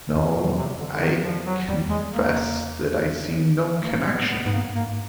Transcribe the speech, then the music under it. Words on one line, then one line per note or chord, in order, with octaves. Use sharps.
"No, I confess that I see no connection."
F2
E2 B2
F2 C3
D3
D3
D#3
F3
F#3
F2 G3
E2
G#3
F2
E2 A#3
F#2
F2
A3
G#2 A#3
A2 B3
G#2 B3
G#2 B3
A#3
G2
G#2 A#3